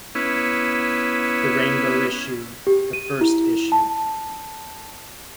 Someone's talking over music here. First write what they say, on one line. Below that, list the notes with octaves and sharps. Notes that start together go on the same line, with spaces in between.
"The Rainbow Issue", "The First Issue".
B3 C#4 E4
G4
D#7
E4
A5